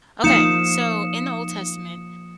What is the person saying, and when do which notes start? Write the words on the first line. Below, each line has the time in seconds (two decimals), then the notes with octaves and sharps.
Okay, so, in the Old Testament,
0.24 F3 A#3 D#4 F5 D#6 C#7 E7